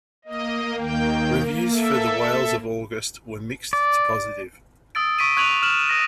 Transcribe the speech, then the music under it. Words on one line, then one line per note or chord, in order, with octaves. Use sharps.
Reviews for "The Whales of August" were mixed to positive.
A#3 D#5
D#2 D#3 G5
A4 E5
D5
D#6 E6 A6 D7
C#6 B6 D7 D#7
C#6 F#6 G#6 D#7 F7 F#7
F6 E7 F#7
D#6 A#6